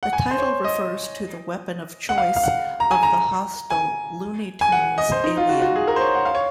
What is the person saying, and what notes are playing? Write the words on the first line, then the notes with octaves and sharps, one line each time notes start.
The title refers to the weapon of choice of the hostile Looney Tunes alien.
F#5
G#5
C5
C#5
D#5
F#5
F5
F5
F#5
A#5
G#5
A#5
G#5
G#5
F#5
D#5
C5
D#4
F4
F#4
F#4
G#4
A#4
C5
C#5
F#5
F5
C#5